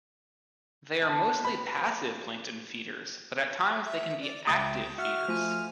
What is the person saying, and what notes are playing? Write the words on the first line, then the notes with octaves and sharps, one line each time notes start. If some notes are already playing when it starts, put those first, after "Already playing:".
They are mostly passive plankton feeders, but at times they can be active feeders.
D4 D5
C4 B4 B5
F3 D5
E5
D5
C#2 E5 G5 D#6
F#4 E5 F#5 F6
F3 A3 F4 G#5